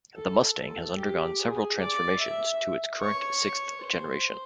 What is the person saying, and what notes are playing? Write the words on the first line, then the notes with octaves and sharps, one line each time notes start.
The Mustang has undergone several transformations to its current sixth generation.
A4
A4
G4
G#4
D5
E5
C#5
C5